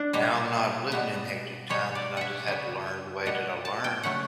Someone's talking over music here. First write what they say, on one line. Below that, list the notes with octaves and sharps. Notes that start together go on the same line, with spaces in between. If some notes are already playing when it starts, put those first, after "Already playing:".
now I'm not living in hectic times and I just had to learn the way that I learned
Already playing: D4
B2 G3 B3
B2 G3 B3
B2 G3 B3 C#5
D5
E5 F#5
C#3 G3 B3
B2 G3 B3 F#5
A5
G5
C#3 F#3 A3 F#5